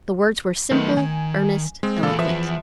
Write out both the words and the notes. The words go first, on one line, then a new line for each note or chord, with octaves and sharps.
The words were simple, earnest, eloquent.
D#3 F#3 A3 B3 D#5
D#3 G#5
G#3 C4
A#2 E3 G#4 A4 F5
F3 B4 E5